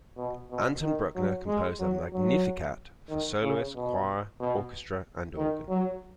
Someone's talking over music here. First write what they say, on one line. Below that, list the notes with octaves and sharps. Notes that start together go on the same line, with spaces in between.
Anton Bruckner composed a "Magnificat" for soloists, choir, orchestra, and organ.
B2
B2
D#3
F#3
G#3
F#3
F#3
D#3
C#3
B2
B2
D#3
F#3